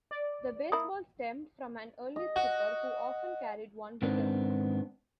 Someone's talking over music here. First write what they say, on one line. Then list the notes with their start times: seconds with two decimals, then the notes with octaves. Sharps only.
The baseball stemmed from an early skipper who often carried one with him.
0.11 D5
0.72 A#3 E4 D#6
2.16 D#5
2.36 F#4
4.02 G#2 D#3 B3 C4 D4